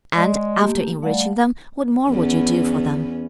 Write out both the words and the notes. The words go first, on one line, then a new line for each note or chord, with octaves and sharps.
"And after enriching them, what more would you do for them?"
G#3 D5
A3 A#3 G4
G3 A3 F5 F#5
E2 B3 C#4